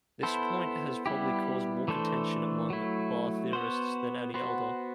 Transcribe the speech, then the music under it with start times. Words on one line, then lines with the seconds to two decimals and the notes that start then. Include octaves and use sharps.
This point has probably caused more contention among VaR theorists than any other.
0.23 B3 E4 A4 C5
1.06 G3 B3 E4 G4
1.88 E3 A3 D4 A4 C5
2.70 F#3 A3 E4
3.53 B3 F#4 C5
4.34 B3 F#4 C5